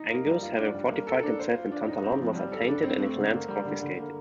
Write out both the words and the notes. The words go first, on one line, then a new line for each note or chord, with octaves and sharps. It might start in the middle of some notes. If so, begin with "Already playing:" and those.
Angus, having fortified himself in Tantallon, was attainted and his lands confiscated.
Already playing: D#4
A#3
G3
F4
D4
G3
A#3
A4
D4
C5
F4
D4
D#4
C4
F3
G3
A4
D4
C4
A3
D3
A#3
G3
D3
D3
A#3